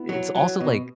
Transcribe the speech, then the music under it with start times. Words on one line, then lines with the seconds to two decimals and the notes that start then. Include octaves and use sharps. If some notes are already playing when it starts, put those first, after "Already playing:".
it's also, like,
Already playing: B3 E4
0.09 F#3
0.35 F#3
0.61 B2